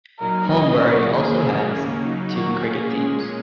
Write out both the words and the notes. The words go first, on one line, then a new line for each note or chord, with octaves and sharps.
Holmbury also has two cricket teams.
A#2 F#3 D#4 A#4
C#3 F#3 A#3 C#4 D#5
D#2 C#3 F#3 F#4
D#2 D#3 A#3 G#4
C#3 F#3 A#3 C#4
D#2 C#3 A#3 C#4
C#3 F#3 D#4
D#2 D#3 F#3 A#3 F#4
A#2 A#3 C#4 G#4
A#2 G#3 C#4